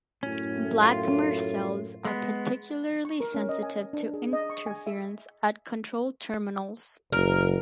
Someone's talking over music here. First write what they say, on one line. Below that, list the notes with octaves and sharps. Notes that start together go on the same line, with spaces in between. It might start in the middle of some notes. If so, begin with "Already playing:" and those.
Blackmer cells are particularly sensitive to interference at control terminals.
F#2 A2 C#4
F4
G#3 B3
C#6
A#4
C#4
D#5
G#5
D4
G#4
D#5
C#6
G#5
E5
F#1 A#4